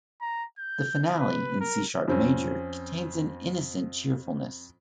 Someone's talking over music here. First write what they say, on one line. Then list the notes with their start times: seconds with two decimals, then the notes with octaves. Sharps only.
The finale, in C-sharp major, contains an innocent cheerfulness.
0.21 A#5
0.58 G6
1.19 B4
1.60 A#4
2.08 F2 C4 C#4